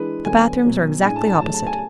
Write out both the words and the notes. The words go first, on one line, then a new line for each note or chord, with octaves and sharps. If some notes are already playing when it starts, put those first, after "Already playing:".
"The bathrooms are exactly opposite."
Already playing: E3 G#3 D4 B4
D3 F#3 B3 G#5
B2 F#3 C#4
A2 G#3 D4 G#5
A5
A5
C#3 F#3 A3 A5
A5
G#5